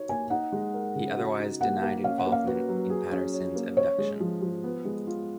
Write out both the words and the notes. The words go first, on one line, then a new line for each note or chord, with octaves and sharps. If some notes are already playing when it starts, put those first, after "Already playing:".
He otherwise denied involvement in Patterson’s abduction.
Already playing: D#4 F#4 C#5
A#3 G#5
D#4 F#5
G#3
A#4
C#3
F#4
D#4
A#3 F#5
A#3
C#4 F5
F#5
A#3
F5
F#4 B4
F#3
G#4
C#4
C#5
A#3
C#4 C#5
G#3
F3
F3
B3
G#3
F4